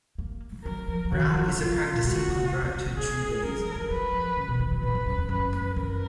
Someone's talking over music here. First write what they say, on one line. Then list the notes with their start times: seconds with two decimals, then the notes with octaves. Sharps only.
Brown is a practicing convert to Judaism.
0.18 A#3
0.65 F#3 A#4
0.88 F3
1.05 F3
1.11 D#3 F#4
1.27 F#3
1.35 F3
1.59 F3 F4
1.70 D#3
1.81 C#3
1.94 A#2
2.05 G#3 F#4
2.28 A#3
2.52 A#3
2.63 B3
2.75 A#3
2.86 G#3
2.92 B3
2.98 A#3 G#4
3.09 B3
3.13 A#3
3.29 B3
3.44 C#4 A#4
3.59 A#3
3.75 G#3
3.90 F#3 B4
4.13 F3
4.37 C#3
4.49 B2
4.60 D#3
4.71 F#3
4.83 A#2 B4
4.95 G#2
5.06 F#2
5.18 F#2
5.29 F#2 B4
5.76 F#2 A#4